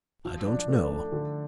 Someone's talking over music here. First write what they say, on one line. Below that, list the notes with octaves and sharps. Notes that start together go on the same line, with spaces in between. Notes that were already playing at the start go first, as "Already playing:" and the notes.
I don't know.
F3
D4
A3
D4
D3